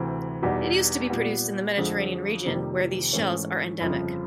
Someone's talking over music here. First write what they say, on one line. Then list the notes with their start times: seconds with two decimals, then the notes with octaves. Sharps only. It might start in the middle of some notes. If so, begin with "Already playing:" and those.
It used to be produced in the Mediterranean region where these shells are endemic.
Already playing: D2 C3 E3
0.42 E2 B2 G3 B3 D#4
1.10 A#2 G3 B3
1.78 F2 D3 F3 G#3
2.45 F2 C3 D#3 G3 A#3
3.13 G#2 E3 A3 C#4
3.81 G1 F2 C#3 F3